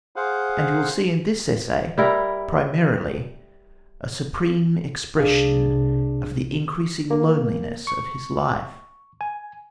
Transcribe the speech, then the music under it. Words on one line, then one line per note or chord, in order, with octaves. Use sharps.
And you will see in this essay, primarily, a supreme expression of the increasing loneliness of his life.
G#4 C5 F5 F#5
G3 E4 A#4
C2 D4 G#4 F5
A#3
C#6
G#5